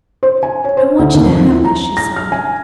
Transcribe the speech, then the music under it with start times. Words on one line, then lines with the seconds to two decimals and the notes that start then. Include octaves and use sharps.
"I want you to have this," she sobbed.
0.23 C5
0.43 G#5
0.65 C#5
0.77 C5
0.99 D2
1.14 D#2
1.26 F2
1.52 E4
1.65 A#5
1.97 A#6
2.16 F6
2.32 G#5